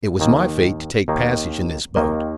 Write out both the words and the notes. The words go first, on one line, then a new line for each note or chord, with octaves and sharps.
It was my fate to take passage in this boat.
D#2 D#3 A#3
D#2 D#3 A#3
D#2 D#3 A#3